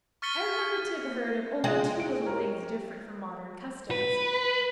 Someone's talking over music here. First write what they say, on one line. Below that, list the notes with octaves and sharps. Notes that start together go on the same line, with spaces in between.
I remember to have heard of only two little things different from modern customs.
C#6 F6 A6 B6 C#7 G7
G#3 F4 D#5 G5
D7
G4 A#4 C#5
B4